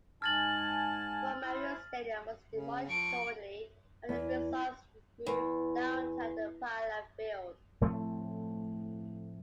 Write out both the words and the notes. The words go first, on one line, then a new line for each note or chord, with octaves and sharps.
War Memorial Stadium was demolished shortly after the Bisons moved downtown to Pilot Field.
G#2 G#5 A5 F6 A6 F#7
E4 C5
C#3
F3 C#6 D7
E2
E2
A2 F3 A3 C4